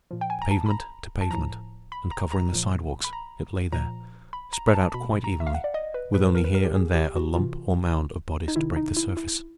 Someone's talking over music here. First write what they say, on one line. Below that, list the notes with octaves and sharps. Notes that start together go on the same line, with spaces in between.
From pavement to pavement, and covering the sidewalks, it lay there, spread out quite evenly, with only here and there a lump or mound of bodies to break the surface.
A#2 F3
G5
G#5
A#5
A5
B5
A#5
A5
A2 F3 A#5
B5
A#5
A#5
A#2 F3
B5
A#5
A#2 F3 A#5
B5
A#5
A#5
A5
B2 B5
A#5
E5
F5
F#5
D5
D#5
B4
A2 F3 B4
A#4
B4
A#4
G4
G#4
G4
F#4
C3 E3 F4
D#4
C3 D#3 E4
D#4
E4
E4